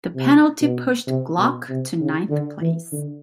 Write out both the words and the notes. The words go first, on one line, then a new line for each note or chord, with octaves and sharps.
The penalty pushed Glock to ninth place.
C3
B2
C3
B2
C3
C#3
D3
E3
D3